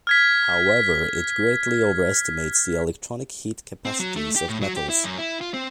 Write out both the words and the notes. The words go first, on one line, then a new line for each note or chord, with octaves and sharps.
However, it greatly overestimates the electronic heat capacities of metals.
F6 G#6 B6
C4
F#3
A3
G4
A2
F#3
G4
E4
F#2
E4
F4
C4